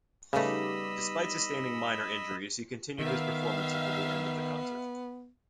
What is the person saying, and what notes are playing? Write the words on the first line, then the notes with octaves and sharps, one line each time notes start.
Despite sustaining minor injuries, he continued his performance until the end of the concert.
C#3 G3 A3 B3 D#4 D#5 B5 E6
D#3 B3 E5 F5